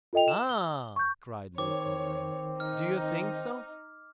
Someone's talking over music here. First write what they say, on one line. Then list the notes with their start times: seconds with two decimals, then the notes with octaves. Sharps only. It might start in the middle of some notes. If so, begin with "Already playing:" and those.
"Ah!" cried Louis, coloring, "do you think so?"
0.13 F4 A4 D#5 G5 F7
0.28 E7
0.49 G7
0.96 C#6 G6
1.58 D#3 C4 C#5 D6
2.60 D#4 F6